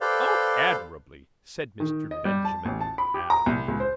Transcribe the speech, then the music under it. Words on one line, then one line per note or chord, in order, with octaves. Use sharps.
'Oh, admirably,' said Mr. Benjamin Allen.
G4 A4 B4 C5 D5 F5
D#3
D#5
G3
A5
A1
A5
B5
G4
A#5
C2
C#2
C5